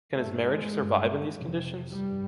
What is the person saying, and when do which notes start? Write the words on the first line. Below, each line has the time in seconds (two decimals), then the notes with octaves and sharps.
Can his marriage survive in these conditions?
0.14 G2 A3
0.44 G#3
0.74 G2
1.33 F2 C3
1.92 G2 G3